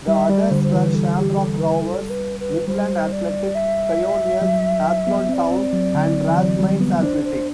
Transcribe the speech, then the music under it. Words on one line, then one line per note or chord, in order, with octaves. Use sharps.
The others were Shamrock Rovers, Midland Athletic, Pioneers, Athlone Town and Rathmines Athletic.
G3 E5
G3 D5
D3 C5
C5
E3 B4
G3 A4
A4
G4
A4
B4
A4
B4
B4
G3 C5
D5
E5
F#3
B3
C4 D5 E5
C4
F#3
D3
E3
F#3
G3
B3
D4 C5
C5